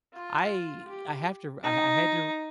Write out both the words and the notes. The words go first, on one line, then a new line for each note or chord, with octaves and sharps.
I I have to I I had to
F4
G4
D#4